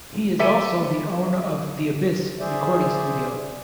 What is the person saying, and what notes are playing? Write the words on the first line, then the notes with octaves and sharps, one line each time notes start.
He is also the owner of "The Abyss" recording studio.
G4 A4 B4 E5 G#5
G#4 C5 D5 E5